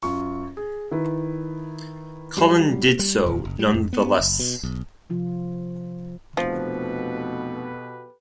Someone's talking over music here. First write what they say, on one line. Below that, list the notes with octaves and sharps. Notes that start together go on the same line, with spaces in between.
Cullen did so nonetheless.
F#2 F4 C#6
G#4
D#3 E4 B4
F#3 G3 C7
G3
D#1
F#1
G3
F2
B3
F#1
B2
B1
C3 F3 F4
F1 B2 F3 G4 A4 B4